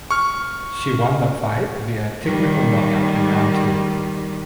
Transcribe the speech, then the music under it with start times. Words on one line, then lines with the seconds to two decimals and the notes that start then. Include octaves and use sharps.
She won the fight via technical knockout in round two.
0.11 C#6 F6
2.25 D#3 G3